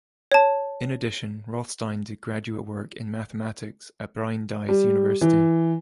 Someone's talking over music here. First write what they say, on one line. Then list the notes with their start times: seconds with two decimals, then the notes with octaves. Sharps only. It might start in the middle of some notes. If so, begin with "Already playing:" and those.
In addition, Rothstein did graduate work in mathematics at Brandeis University.
0.32 C#5 A5
4.69 G3
5.21 E3